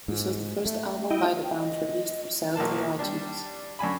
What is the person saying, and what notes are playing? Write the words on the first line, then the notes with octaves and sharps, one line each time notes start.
This was the first album by the band released for sale through iTunes.
G#2
A3
E4 D#5 G5
G5
D#5
B1 F#3 A#3 A5
G3 D4
F#2 D4 G#5 B5